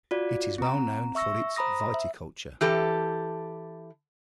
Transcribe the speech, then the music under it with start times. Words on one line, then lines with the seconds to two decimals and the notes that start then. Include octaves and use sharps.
It is well known for its viticulture.
0.11 F4 F#4 D5
0.58 C4 A#5
1.15 E5 C#6 E6 A#6
1.56 C5 A#5 B5 D#6 A#6
1.94 E5
2.61 E3 G4 A4